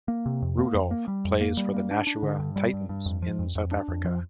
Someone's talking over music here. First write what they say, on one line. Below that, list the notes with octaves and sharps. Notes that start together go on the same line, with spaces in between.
Rudolph plays for the Nashua Titans in South Africa.
A#3
C3
F2
A#3
F2
A#3
G3
F2
A#3
G3
A#3
D4
D4
D3
G2
G3
G2
G2
F2
F3
F2
F2
D4
F2
F3